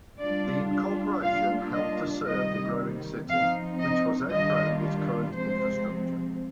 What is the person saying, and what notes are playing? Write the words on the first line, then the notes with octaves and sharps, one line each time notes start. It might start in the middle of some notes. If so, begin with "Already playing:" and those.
The incorporation helped to serve the growing city, which was outgrowing its current infrastructure.
G3 D4 F4 D5
G3 A#3 D4 F4 F5
D#5
C3 D#3 G3 D#5
F3 C4 D#4 F5
D#5
D#3 G3 D4 F4 D#5
C3 F3 G#3 C4 C5